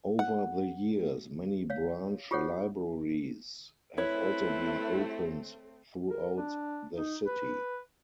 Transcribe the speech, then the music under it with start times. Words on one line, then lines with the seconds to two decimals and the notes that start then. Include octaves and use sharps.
Over the years, many branch libraries have also been opened throughout the City.
0.19 F#5
1.70 C#5 F5
2.31 F4 G4 G#4 C5 C#5 F#5
3.98 A3 C4 E4 B4 C#5
6.10 A#4
6.38 D4
6.96 D#4
7.27 B4